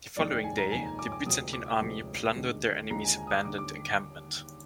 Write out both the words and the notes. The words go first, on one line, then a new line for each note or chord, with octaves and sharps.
The following day the Byzantine army plundered their enemy's abandoned encampment.
F1 D#2 D#3 G#3 D5
G5
G#5
A#5
F1 D#2 D#3 G#3 G#5
A#5
D6
D6
D2 C3 F3 G#3 D#6
D6
D2 C3 F3 G#3
D#2 D3 G#3
D#2 D3 G#3 A#5
G#5
G#5
D#6
D6
D#2 D3 G3 D6
D6